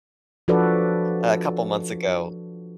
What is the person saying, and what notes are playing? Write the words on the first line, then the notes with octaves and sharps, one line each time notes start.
A couple months ago
F3 D4 F#4 A4 B4 D5